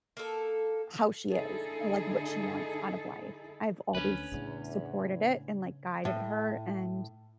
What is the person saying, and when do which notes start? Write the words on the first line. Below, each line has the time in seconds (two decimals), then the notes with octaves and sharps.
How she is and, like, what she wants out of life. I've always supported it and, like, guided her and
0.17 A#3 A4
1.33 D3 D#4 E4 G#4 A4
3.95 D2 C#4 D4 B4
4.32 E2 A2 C#3 A3 D4
6.05 A2